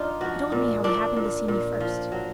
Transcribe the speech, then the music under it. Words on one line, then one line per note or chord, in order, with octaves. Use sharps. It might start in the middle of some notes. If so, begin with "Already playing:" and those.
He told me how he happened to see me first.
Already playing: D4 D#4 F4
F3 F#4
A#2
A#2 D4
A#2
A#2
F3
F#3